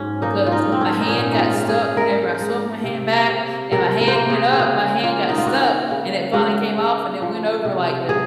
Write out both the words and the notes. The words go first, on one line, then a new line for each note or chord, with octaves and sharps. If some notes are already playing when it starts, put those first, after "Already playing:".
because my hand got stuck whenever I swung my hand back, and my hand went up, my hand got stuck, and it finally came off, and it went over, like, the
Already playing: G#2 F#3 C#4
A#3 D#4
F4
D#4
G#2
C4
C#4
D#4
A#2 C#4
D#4
F4
G#3
G#4
G#3 A#4
G#3
C3
C3
C3 A#4
A#4
C5
A#3 A#4
G#4
G#4
C#3 F#4
A#3 F4
D#4
F4
A#3 F#4
C#3
G#3 F#4
G#3
F3
C3
F#3 G#4